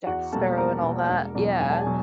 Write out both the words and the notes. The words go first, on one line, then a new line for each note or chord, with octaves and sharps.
Jack Sparrow and all that yeah.
E2 F#4 F#5
B2 G3 A#3 A4 A5
E2 A#4 A#5
B2 G3 A#3
E1
E2 B2 F#3
E1 G#5
A5
B2 F#3 G#4 G#5